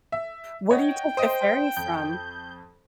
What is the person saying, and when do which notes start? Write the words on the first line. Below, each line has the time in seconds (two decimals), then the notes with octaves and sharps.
Where do you take the ferry from?
0.12 E5
0.71 C#5 D#5 F#5 G5
1.17 C5 D#5 D#6 D7
1.77 F2 G6